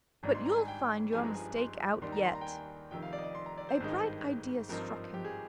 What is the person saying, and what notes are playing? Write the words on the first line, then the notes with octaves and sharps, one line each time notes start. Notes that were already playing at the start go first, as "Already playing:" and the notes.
But you'll find your mistake out yet.' A bright idea struck him.
G#1 G#2 G3 D4 A#5
C6
A#5
G#5
G5
G1 G2 F3 G#3 D#4 G#5
A#5
G#5
C6
D#2 D#3 G3 C6
A#5
C6
A#5
G5
G#5
F1 F2 D#3 G5
F5
D5
D#5
D5
C6
A#5
D5
C5
G#1 G2 D#3 G#3 D#4
G#1 G2 F3 C4 D#4 A#4
G4
G#4